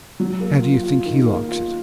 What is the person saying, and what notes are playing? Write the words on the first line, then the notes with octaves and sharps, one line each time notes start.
How do you think he likes it?'
F#3
A#3
F4
F4
D#3
A#3
F4